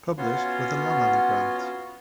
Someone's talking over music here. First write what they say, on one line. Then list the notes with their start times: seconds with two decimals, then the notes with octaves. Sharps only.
Published with a Lannan grant.
0.18 B3 C#4 F4 F#4 C#5 C6